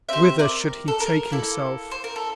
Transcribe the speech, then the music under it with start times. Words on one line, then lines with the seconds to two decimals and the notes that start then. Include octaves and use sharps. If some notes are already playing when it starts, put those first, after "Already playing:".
Whither should he take himself?
0.09 C4 G4 C5 E5
0.39 A#4 D5
0.88 A4
1.00 A#4
1.30 A#3 E4 A4
1.91 C5
2.04 A#4
2.16 A4